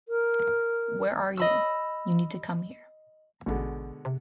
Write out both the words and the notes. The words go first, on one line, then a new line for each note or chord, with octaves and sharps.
Where are you? You need to come here.
A#4
D#5 B5 E6
A1 B2 D3 G#3
C3